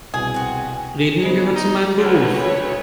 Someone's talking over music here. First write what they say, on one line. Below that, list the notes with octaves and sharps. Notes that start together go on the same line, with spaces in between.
Reden gehört zu meinem Beruf.
C2 B2 G#4
C4 F#4 G#5
G#3 B3 C5
D#4
D2 B4 C#5